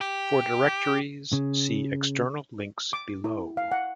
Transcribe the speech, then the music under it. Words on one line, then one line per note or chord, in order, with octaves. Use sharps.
For directories, see external links below.
G4
C#3
D6
E4
F5
F#5